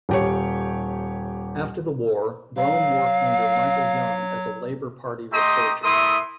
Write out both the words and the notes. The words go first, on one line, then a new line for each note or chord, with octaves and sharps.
After the war Brome worked under Michael Young as a Labour Party researcher.
D#1 G4 C#5
F#3 F5
A3 G4 D#5 A#5 C6 D#6
A3 E4 A#4 C6 D#6